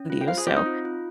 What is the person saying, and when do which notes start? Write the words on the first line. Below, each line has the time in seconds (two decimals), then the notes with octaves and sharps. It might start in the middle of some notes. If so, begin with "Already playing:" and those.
you, so,
Already playing: C#4
0.10 F4
0.21 G5
0.28 C5 F5
0.37 G#4
0.47 C4 G4
0.56 D#4
0.66 F4
0.85 F4